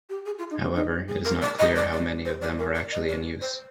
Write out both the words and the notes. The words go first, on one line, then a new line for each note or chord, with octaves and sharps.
However, it is not clear how many of them are actually in use.
G4
G#4
F4
D#4
D4
D#4
G#4
A#4
D5
D#5
D5
D5
C5
D5
A#4
D5
D#5
D5
C5